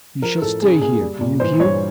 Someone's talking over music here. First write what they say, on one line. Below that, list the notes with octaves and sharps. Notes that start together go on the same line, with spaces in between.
You shall stay here, do you hear?
F3 A#4
A2 A4
C#3 G#4
A#3 G#4
G3
A#2
E3 C5
G2 C#5